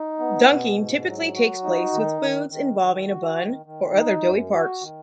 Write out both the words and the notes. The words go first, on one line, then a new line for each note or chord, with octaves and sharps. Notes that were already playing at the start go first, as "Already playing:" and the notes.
Dunking typically takes place with foods involving a bun or other doughy parts.
Already playing: D#4
B3
B2
G#2
F#3
F#4
D#4
D#3
D#3
D#3
D#3
F#4
D#3
D#3
D#4
F#2
F#4
D#3